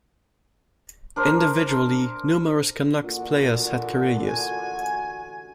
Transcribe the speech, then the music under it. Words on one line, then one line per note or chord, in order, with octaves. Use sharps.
Individually, numerous Canucks players had career years.
D4 A#4 C5
A1 A#2 D3 F#4
G#5